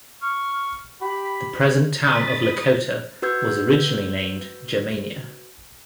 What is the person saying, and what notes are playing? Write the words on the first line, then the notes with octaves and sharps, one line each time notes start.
The present town of Lakota was originally named Germania.
C#6 F6
G4 B5
B5 D#6 A6
F#4 B4 E6 G6 G#6